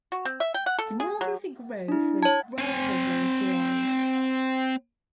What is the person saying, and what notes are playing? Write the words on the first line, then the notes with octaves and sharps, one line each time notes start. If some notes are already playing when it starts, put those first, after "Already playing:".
Demographic growth was relatively slow.
F#4
C4
E5
G5
F#5
A4
G#4
F#3
D4 E4
C#5 A5 G#6
C4 G#5